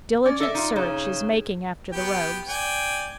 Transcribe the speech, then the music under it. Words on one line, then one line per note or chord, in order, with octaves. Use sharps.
Diligent search is making after the rogues.
C#4 D5
A4 D#5 E5
D#4 F4
C#3 D#4
B3 G4 G5
D5 G5 G#5